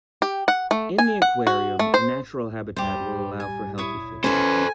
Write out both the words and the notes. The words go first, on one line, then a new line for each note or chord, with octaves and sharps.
In the aquarium, a natural habitat will allow for healthy fish.
G4
F#5
A3
G#5
F#5
F#4
A3
C5
G3 G4 C5
G#5
E4 C#5 D#6
C#4 A4 B4 C5 G#5